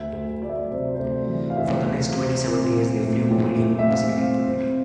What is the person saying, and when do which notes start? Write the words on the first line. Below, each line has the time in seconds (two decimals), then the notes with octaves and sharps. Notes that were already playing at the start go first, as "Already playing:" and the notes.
For the next twenty-seven days, they flew over the Meridian vicinity.
Already playing: D2 E5
0.13 D2
0.42 A3 D5
0.49 E5
0.58 D5
0.70 C3 C5
0.95 C5
0.99 D2 D5
1.28 E3
1.50 F5
1.57 D2 E5
1.85 C3
2.15 C4
2.44 A#2
2.72 A#2
3.01 A3
3.31 A#2
3.59 A3
3.79 E5
3.88 C4 F5
4.16 C4 F5
4.46 C4